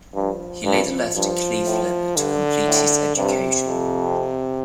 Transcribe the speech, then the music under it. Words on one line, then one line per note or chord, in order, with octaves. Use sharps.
He later left Cleveland to complete his education.
G2 F3
G2
G2 F3
A2
G2 D3
A2
G2 C3
F2